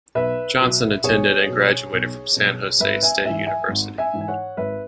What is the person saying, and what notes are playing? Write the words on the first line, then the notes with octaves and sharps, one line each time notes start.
Johnson attended and graduated from San Jose State University.
B1 B4 E5
B2 F#3
B1 G#4 C#5
B2 F#3
B1
B2 F#3
G#1 B4 E5
E5 G#5
G#2 E3 E5 G#5
E5 G#5
G#1
E5 G#5
G#2 E3
G#5
C#5 F#5
G#1 B4 E5